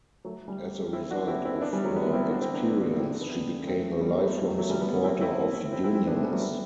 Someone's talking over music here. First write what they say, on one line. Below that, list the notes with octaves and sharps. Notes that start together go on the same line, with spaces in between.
As a result of her experience, she became a lifelong supporter of unions.
F#3 A3
G3
C4 E4
D4 F#4
C4 E4
C4 E4
B3 D4
G3
F#3 A3
B3 D4
C4 E4
D4 F#4
C4 E4
B3 D4
B3 D4
D4 F#4
C4 E4
B3 D4
B3 D4
A3 C4
G3 B3
F#3 A3
F#3 A3
F#3 A3
G3
G3 B3
C4 E4
C4 E4
C4 E4
C4 E4
C4 E4
B3 D4
A3 C4
G3 B3
F#3 A3
G3 B3